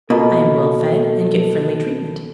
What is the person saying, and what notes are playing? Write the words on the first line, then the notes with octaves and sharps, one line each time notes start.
I am well fed, and get friendly treatment.
B2 A#3 F4 A4 D#5